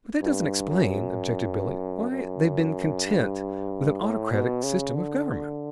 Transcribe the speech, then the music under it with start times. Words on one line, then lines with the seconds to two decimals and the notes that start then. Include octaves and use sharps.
"But that doesn't explain," objected Billie, "why they've been content with an autocratic system of government."
0.22 G2
0.69 F#2
2.11 F#2
3.06 G2
4.01 A2
4.31 B2
4.64 C#3
4.95 D3